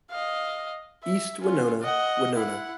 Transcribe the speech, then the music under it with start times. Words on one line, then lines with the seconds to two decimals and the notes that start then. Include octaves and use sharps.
East Winona - Winona.
0.11 D#5 F5
1.04 E5
1.41 C#4 F4
1.82 D#5 F#5
2.35 E4 F#5